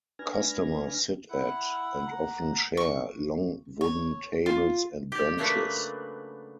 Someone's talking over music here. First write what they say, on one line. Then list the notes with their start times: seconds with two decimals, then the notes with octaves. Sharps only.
Customers sit at, and often share, long wooden tables and benches.
0.19 D4 B4 G#5 F6 G#6 A#6
1.31 E4 F#5
2.07 A#5
2.77 C#6
3.81 C#5
4.46 F4
5.12 G4 D5
5.38 C#3 F#3 A3 A#3 D4 B4